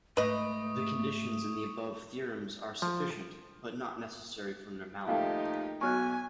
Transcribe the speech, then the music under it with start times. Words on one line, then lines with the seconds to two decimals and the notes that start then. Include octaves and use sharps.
The conditions in the above theorems are sufficient, but not necessary for normality.
0.17 G#2 A3 B4 D#5 C#6 D#6
2.82 F3
5.08 D#2 F3 A3 D#4 G4 F5
5.81 B1 B2 F#3 G#5 C#6 F6 F#6